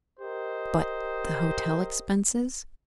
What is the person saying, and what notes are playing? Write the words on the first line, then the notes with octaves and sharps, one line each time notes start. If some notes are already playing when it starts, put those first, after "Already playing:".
"But the hotel expenses?"
G4 A#4 C5 D#5